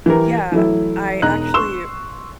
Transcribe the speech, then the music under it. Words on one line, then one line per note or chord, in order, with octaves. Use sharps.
Yeah, I actually,
E3 G4 A#4
E3 F#3 A3 E4
E1 D#4 D#5 A#5 F#6
C6 C#6 E6 E7 G7